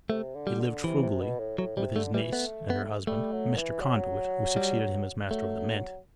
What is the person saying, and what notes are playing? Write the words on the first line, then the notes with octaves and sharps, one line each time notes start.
He lived frugally with his niece and her husband, Mr. Conduit, who succeeded him as Master of the Mint.
C3 A3
D3
G3
D3
C3 E3
C3
B2
A2
A2 F#3
C3 G3
D3 A3
E3 G3
A3 B3
B3
G3 A3
F#3
E3
F#3
G3
F#3 A3